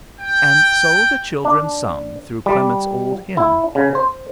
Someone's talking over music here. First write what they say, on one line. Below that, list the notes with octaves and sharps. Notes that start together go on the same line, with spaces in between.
And so the children sung through Clement's old hymn.
G5
D4
G3
E4
C#3
C5